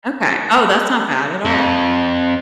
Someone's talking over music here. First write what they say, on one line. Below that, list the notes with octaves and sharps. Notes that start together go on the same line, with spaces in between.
Okay, oh, that's not bad at all.
F2